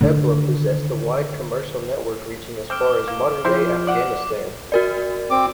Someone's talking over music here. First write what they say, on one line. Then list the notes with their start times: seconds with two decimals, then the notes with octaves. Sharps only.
Ebla possessed a wide commercial network reaching as far as modern-day Afghanistan.
0.01 D3 D#3
2.70 C4 D6 F6 D7
3.08 A#3
3.45 F3 C4 E4 C5
3.87 D5 F#5 D6
4.72 F#4 A#4 D5
5.30 C4 D6